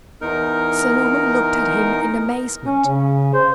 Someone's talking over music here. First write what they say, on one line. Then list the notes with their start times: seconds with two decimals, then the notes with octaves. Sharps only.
Sir Norman looked at him in amazement.
0.21 E2 D#4 A#4
2.66 C#4
2.87 C#3
3.34 C5